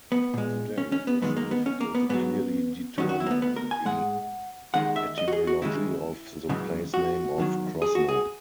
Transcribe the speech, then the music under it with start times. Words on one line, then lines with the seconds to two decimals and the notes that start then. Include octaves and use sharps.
Today it is difficult to clearly determine the etymology of the place-name of Krosno.
0.12 B3
0.34 A#2 G#3
0.78 C#4
0.92 C#4
1.07 B3
1.22 F#2 D#3 G#3 B3
1.37 A#3
1.51 B3
1.66 C#4
1.81 A#3
1.95 B3
2.09 G#2 F#3 B3
2.98 D#2 D#3 F#3 C#4
3.09 F#4
3.20 E4
3.27 A#3
3.31 B3
3.42 B3
3.56 A#4
3.71 G#5
3.85 G#2 D#3 G#3 F#5
4.74 D#2 D#3 G#3 F#5
4.96 E5
5.18 D#5
5.28 F#4
5.32 G#4
5.47 F#4
5.62 D#2 C#3 G#3 E4
6.49 F#2 C#3 E3 G#3
6.94 F#4
7.38 E2 D#3 F#3
7.82 G#4
7.95 F#4
8.09 G#4